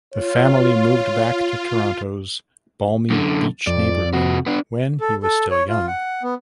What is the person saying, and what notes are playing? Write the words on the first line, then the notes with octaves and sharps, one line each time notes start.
The family moved back to Toronto’s Balmy Beach neighbourhood when he was still young.
F4 C#5
F#2 D3
F2 D5
C3 F#4
B3 D4
A4
A4
C#5
F4
F#5
B3